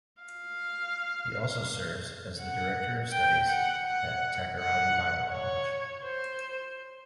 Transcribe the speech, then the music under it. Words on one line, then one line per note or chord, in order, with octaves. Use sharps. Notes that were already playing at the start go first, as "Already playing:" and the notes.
He also serves as the Director of Studies at Takoradi Bible College.
F5
F#5
G5
F#5
F#5
F#5
C#5
C5